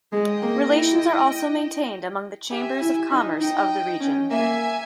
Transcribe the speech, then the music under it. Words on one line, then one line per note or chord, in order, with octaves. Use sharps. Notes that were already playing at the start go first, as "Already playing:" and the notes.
Relations are also maintained among the Chambers of Commerce of the Region.
G#3
D#5 G5
A#3
E4
G4 E5 G#5
E4
D#4
D#4 D#5 G5
C#4
A#3 E5 G#5